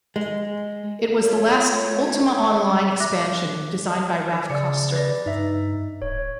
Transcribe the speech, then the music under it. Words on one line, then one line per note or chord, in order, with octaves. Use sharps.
It was the last "Ultima Online" expansion designed by Raph Koster.
G#3
A3 F4 C#5
E5 D6 F#6 A#6
C#3 D5 C#7
B4 D5 A#6
G2 D#4 E5
D1 C#5